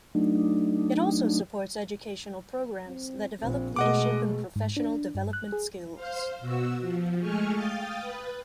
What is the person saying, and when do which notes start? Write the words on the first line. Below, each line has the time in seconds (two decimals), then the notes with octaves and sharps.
It also supports educational programs that develop leadership and professional development skills.
0.15 F#3 A3 D4 D#4
2.87 C4
3.40 A#1 C4
3.76 B2 G#3 A3 D#5 F#5 D6
4.56 G#2
4.77 D4
5.15 G2
5.33 F#6
5.52 G#4
5.95 C5 F5
6.40 B2 F#4 E6
6.80 F3
7.20 G#3 A3 G#5 C#6 F6
7.53 F5 G5 D#6 G6 A6
8.01 B4